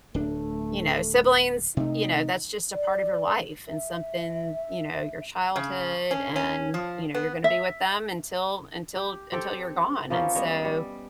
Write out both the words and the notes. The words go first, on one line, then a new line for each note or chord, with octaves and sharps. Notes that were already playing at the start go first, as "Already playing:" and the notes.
you know, siblings, you know, that's just a part of your life and something, you know, your childhood and, you know, you're gonna be with them until until until you're gone. And so,
D1 A3 D4
C3 A3 D#4
D5
E5
C#3
C#4
C#4
F3
B3
E5
G4
C4 G4 A4 G5
F3 A#3 B3 C#4
G3 B3 C#5 D#5
G3